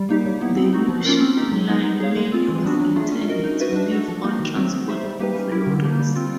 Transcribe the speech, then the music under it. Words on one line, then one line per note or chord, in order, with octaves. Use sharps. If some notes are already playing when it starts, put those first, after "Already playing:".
The new shipping line mainly was intended to live on transport of lorries.
Already playing: G3
A#3 D#4 G4
F#3
B3 E4
C4
D#4 F#4
F3
A#3 C#4 F4 A#4
C4
D#4 G4
F#3
B3 D#4
D#4
G#4 C#5 F5
G#3
C4 F4
E3
G3 B3 D4 F#4
F#3
A3 D4 F4 G#4
C#4
F#4 A#4 D#5
D#4
F#4 B4 E5
D4
F#4 A4
F3
A#3 D#4 F#4
D#3
F#3 A3 C4
B3
D#4 G4 C5 E5
G3
A#3 D#4 G4 B4
C#4
E4 G4 A#4
D3
F3 A#3 D#4
G3
C4 F4